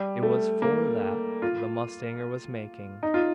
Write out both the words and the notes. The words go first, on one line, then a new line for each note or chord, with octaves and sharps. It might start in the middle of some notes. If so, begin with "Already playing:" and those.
It was for that the mustanger was making!
Already playing: G3
A3
A#3
F4
D#4
F4